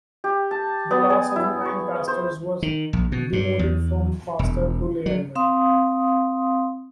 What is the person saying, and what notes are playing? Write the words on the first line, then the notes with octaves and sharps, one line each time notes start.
The last of the nine pastors was demoted from pastor to lay elder.
G4
A5
B3
G#4
E4
C#6
C5
D#3
A#1
B2
G2
E2
E1
F#3
C4 F5 C6 D#6